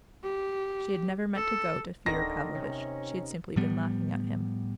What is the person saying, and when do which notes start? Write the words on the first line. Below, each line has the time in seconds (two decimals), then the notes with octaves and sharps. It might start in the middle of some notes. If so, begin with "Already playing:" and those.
She had never meant to go to Fyodor Pavlovitch, she had simply been laughing at him.
0.23 G4
1.35 A4
2.06 D1 D3 D#3 A#6
2.55 C3 C#4
3.56 A2 F3 G3 B3